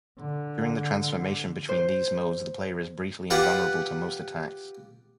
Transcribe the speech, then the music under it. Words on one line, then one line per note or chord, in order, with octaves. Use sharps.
During the transformation between these modes, the player is briefly invulnerable to most attacks.
D3
C5
F4 G4 B4 F5 F#5